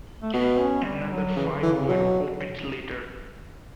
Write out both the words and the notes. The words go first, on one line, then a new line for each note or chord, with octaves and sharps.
Another five were opened later.
A3
B2 B3
C#4
G3
F#3
C#3 E3
D3
E3
C#3
B2 F#3